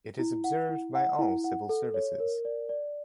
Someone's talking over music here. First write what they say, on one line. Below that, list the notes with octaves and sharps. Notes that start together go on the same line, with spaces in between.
It is observed by all Civil Services.
E4
F#5
E4
F#5
E4
F#5
A4
C#5
A#4
D5
D5